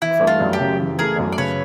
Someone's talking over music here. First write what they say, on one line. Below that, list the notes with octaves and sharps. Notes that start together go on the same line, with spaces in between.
From now on we're pals.
E3 E4
A3
F4
F#2
G4
C#3
E3
A3 G#4 A#4
F#2
D5
C#3 B4 C#5